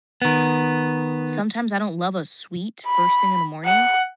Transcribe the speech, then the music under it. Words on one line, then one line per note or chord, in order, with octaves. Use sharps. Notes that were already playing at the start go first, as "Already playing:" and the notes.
sometimes I don't love a sweet first thing in the morning,
D#3 B3
B5
F#5